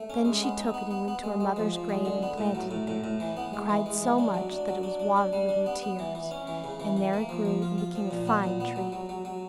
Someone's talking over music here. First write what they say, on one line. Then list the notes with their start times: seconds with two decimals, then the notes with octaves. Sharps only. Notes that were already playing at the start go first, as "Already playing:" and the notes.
Then she took it and went to her mother's grave and planted it there, and cried so much that it was watered with her tears; and there it grew and became a fine tree.
Already playing: A3
0.10 C#4
0.25 G#3
0.43 B3
0.59 D#4
0.74 B3
0.91 B3
1.08 B3
1.23 G#3
1.40 G#3
1.56 F3
1.73 F3
1.89 G#3
2.05 D3
2.23 B3
2.38 A2
2.55 F#3
2.71 A2
2.88 A2
3.04 A2
3.20 E3
3.37 B3
3.53 G#3
3.69 E3
3.86 G#3
4.03 E3
4.18 D4
4.34 F#3
4.51 D4
4.68 F#3
4.83 D4
5.00 D4
5.16 D4
5.33 G3
5.49 D4
5.66 B3
5.82 B3
5.99 E3
6.15 E3
6.31 C#4
6.47 E3
6.64 C#3
6.80 E3
6.97 E3
7.13 A#3
7.29 F3
7.45 F3
7.62 F4
7.78 F4
7.95 F3
8.11 A#2
8.27 B3
8.44 A#2
8.60 B3
8.76 F#3
8.92 F#3
9.09 F#3
9.25 F#3